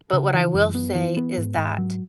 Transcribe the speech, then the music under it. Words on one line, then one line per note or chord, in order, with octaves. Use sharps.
But what I will say is that,
C#3
E3
F#2
B3
E3
B3
G#2
G#2
F#3